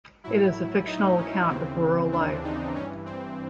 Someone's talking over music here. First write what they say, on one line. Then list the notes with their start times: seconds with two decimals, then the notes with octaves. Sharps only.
It is a fictional account of rural life.
0.24 A2 F#3 E4
0.87 D#4
1.18 C#4
1.49 D#2 C#3 E3 C4
2.12 D4
2.44 D#4
2.75 G2 E3 C#4
3.06 C4